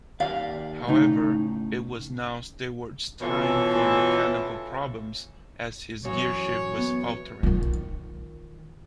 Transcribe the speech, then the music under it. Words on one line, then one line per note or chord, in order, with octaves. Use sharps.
However, it was now Stewart's time for mechanical problems as his gearshift was faltering.
D#2 D5 F5
A2 C#3 D#4
B2 E3 C#4 F4 A4
F#2 E3 C#5
B3
D#3 F4